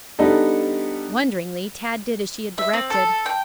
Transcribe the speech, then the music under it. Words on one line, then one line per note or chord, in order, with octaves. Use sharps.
Wonderingly, Tad did as she had directed.
G3 B3 D4 D#4 A4
E5
C4
A4
G5